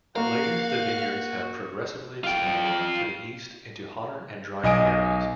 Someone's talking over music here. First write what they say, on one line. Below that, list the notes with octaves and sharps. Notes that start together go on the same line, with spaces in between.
Later, the vineyards have progressively expanded to the east into hotter and drier areas.
A#3 F#4 A#4 F5
F4 G5
B1 D#5 G#5 D7